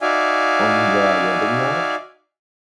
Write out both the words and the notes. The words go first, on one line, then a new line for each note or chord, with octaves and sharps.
On their wedding night?
D#4 F#4 D5 E5 F5 G#5